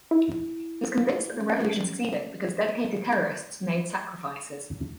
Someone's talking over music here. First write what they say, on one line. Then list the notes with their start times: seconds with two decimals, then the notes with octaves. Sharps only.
He was convinced that the revolution succeeded because dedicated terrorists made sacrifices.
0.11 E4
1.39 C#4
2.67 A#3